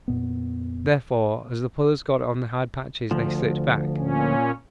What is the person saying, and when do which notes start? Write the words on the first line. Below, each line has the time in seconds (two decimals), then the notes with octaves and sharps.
Therefore, as the pullers got on the hard patches they slipped back.
0.08 F2 A#2 B3
3.11 D2 F3
3.97 A#2 C#4